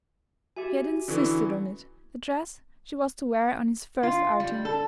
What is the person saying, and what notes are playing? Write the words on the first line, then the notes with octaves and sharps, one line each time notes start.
He had insisted on it--the dress she was to wear on his first outing.
F#4 G4 E5 G#5
D3 E3 C#4 E4 C#6
F4
G3
A4